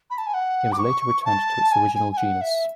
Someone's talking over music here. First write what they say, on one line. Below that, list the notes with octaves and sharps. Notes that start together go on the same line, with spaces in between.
It was later returned to its original genus.
B5
A5
G#5
F#5
D6
C#6
A5
G#5
G#5
G#5
F#5
E5